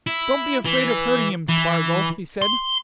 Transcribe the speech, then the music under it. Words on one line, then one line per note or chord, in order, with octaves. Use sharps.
"Don't be afraid of hurting him, Spargo," he said.
E4
E3
E3
C6